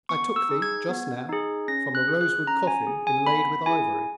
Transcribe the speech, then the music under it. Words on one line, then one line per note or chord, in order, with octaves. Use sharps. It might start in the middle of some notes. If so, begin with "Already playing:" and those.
I took thee, just now, from a rose-wood coffin inlaid with ivory.
B3 C#6
E6
D#4 G#4
G#6
B3
D#4 G#4
C#4 A#6
F#6
G#4
F#6
C#4 A#5
G#5
G#4
G#5
B3 B5
E4 G#4 G#5